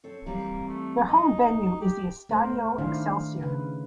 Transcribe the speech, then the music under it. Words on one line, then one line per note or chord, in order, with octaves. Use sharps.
Their home venue is the Estadio Excelsior.
C4 A4 C#5
E3 G3 A#3 C4
A3
G#3 D#4 D#5
G4
A3 A#4 C5
D#3 D4 E4 C5 F5
C#3 B4